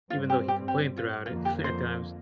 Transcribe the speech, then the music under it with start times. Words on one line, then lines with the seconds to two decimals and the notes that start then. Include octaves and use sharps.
even though he complained throughout it at times,
0.10 G2 G3 C4 F4
0.30 G4
0.48 G4
0.68 G4
0.97 F4
1.26 F2 D3 F3 A#3 F4
1.45 G4
1.64 C5